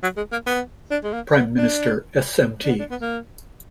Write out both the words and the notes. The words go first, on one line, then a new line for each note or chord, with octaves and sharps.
Prime Minister Smt.
F#3
G#3
A#3
B3
D4
G#3
A#3
B3
D4
D4
B3
D4
B3
A#3